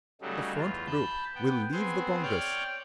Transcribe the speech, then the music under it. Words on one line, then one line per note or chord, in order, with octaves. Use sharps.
The Front group will leave the Congress....
C#3 F#3 G3 A3 D#4
E2 F4
A5 B5 G6
B3 G5
B3 C4 G#4 C5 G#5
C#5 D5 G5 D6 F6 G6